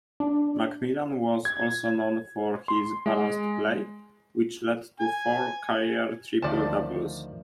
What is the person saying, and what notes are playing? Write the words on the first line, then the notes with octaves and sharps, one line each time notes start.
McMillan was also known for his balanced play, which led to four career triple-doubles.
D4
G#6
C6
G#3
G#5
D2 D#3 F3 D5 A5